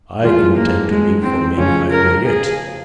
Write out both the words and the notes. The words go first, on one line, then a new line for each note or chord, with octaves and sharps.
"I intend to live for many a year yet."
F1 E2 E3 G#3 F4
A#3
G#3
C4
F1 F2 C#3 F3 C#4
A#4
G#4